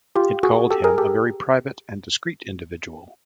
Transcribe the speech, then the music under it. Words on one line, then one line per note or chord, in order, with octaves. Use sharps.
It called him a very private and discreet individual.
F4 G4
F#4 G#4
G4 A4
G#4 A#4
G4 A4